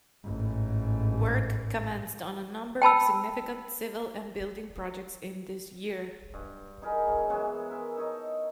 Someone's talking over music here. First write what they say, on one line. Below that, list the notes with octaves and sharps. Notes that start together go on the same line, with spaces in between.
Work commenced on a number of significant civil and building projects in this year.
A1 G#2
G5 A5 B5 E6
G2
D#4 G#4 A#4 B5
F#2 C#3 G#4
E3 G#3 B3 C#5
A#4 E5
D#4 C#5 D#5 A5